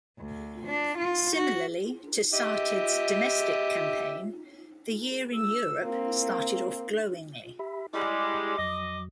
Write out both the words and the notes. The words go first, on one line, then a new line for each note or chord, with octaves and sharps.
Similarly to Sartid's domestic campaign, the year in Europe started off glowingly.
D2
D4
F4
F#4
G4 D#5 E5
E6
A#3 C4
G4 E5 B5
G3 G#3 E4 D#5 D6
F2 F#3 D#5